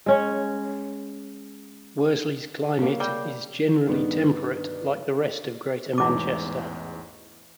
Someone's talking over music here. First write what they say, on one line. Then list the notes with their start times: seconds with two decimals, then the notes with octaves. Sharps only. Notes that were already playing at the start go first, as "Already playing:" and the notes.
Worsley's climate is generally temperate, like the rest of Greater Manchester.
0.06 G#3 C#4 C#5
2.77 C#3 A#3
3.00 G3 G5
3.87 G2 D#3 B3
5.98 A1 E2 G#2 E4 D6